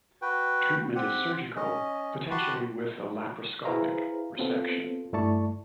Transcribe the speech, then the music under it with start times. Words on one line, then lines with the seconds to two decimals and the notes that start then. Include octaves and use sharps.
Treatment is surgical, potentially with a laparoscopic resection.
0.22 F#4 B4 G5
0.95 C4 G4 F#5
1.56 C#4 D#5
2.31 F#4 G4 F#5 A5 B5 C6
3.65 E4 G#4 B4 C5 F5 A#5
4.39 B3 C4 F4 A4 C5
5.13 G2 A3 E4 D5 A5 C#6